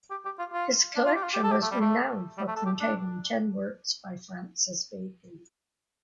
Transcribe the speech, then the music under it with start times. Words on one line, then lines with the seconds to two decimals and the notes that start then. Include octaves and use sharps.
His collection was renowned for containing ten works by Francis Bacon.
0.11 G4
0.25 G4
0.39 F4
0.53 F4
0.96 D4
1.05 F4
1.15 G4
1.24 F4
1.34 G4
1.44 A4
1.52 G4
1.62 A3
1.72 G3
1.81 A3
2.38 G3
2.48 A3
2.56 A4
2.66 G4
2.80 D4